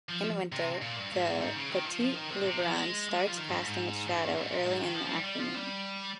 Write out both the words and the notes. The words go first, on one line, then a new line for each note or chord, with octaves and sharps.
In winter, the Petit Luberon starts casting its shadow early in the afternoon.
F3
C3
A#2
G2
G#2
G#2
C#3
D#3
F3
F3
D#3
C3
C3
F3
G#3
G#3
G3
F3
D#3
G2
G#2
G#2
G2
G#2
A#2
G#2
D#3
F3
F3
G3
G3
F3
G3